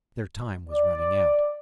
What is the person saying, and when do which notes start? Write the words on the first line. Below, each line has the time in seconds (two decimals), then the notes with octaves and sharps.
Their time was running out.
0.70 D5